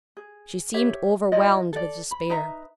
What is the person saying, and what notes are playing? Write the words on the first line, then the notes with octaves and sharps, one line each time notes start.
She seemed overwhelmed with despair.
G#4
G4 C#5 E5
E4 F4 D5 D#5
A4 D5
B5
D#4 B4 E5 A#5